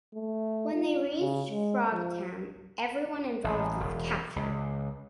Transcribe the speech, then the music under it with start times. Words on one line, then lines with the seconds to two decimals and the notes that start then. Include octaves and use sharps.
When they reach Frogtown, everyone involved is captured.
0.14 A3
0.73 F4
1.20 C#3
1.50 G#3
1.90 F3
3.44 A1
3.80 E1
4.36 C#2